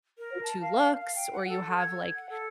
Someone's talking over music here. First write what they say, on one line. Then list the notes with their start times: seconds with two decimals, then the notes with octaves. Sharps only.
go-to looks, or you have, like,
0.18 A#4
0.43 A5
0.62 F5
0.99 F5
1.15 G5
1.33 F#5
1.49 A4
1.77 G#6
2.16 F#5
2.30 A4